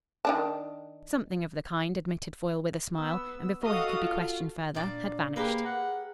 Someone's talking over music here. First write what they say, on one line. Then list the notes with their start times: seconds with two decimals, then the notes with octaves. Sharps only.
"Something of the kind," admitted Foyle with a smile, and before he could be questioned further had vanished.
0.25 D#3 D4 A5
2.97 B3 E6
3.62 F#4 A4 D#5 F5 D#6
4.00 F4
4.75 A#2 D4 D5 A5
5.36 A#3 G4 G#4 A#4 B4
5.66 F#5